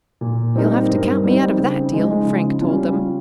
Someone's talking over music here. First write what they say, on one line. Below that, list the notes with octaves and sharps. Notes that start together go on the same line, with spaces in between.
"You'll have to count me out of that deal," Frank told them.
A#2
G3 C4 D#4 A#4
G2
G3 C4 D#4
C#3
F3 G#3 D#4
C#3
G3 C#4 F4